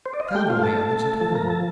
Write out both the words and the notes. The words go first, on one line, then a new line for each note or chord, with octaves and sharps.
I found all the others at home.
C5
D5
D#5
F5
A3 G4 G5
F4 F5
A3
A4 A5
A3
A3
F3 A4 A5
A#4 A#5
F3
A4 A5